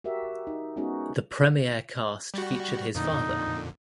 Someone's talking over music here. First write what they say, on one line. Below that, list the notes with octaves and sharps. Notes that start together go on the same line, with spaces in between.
The premiere cast featured his father.
F#4 G4 A#4 E5
D#4
G#3 B3 C#4 D#4 F#4 G#4
G3 F#4
F2 A#2 D3 D#4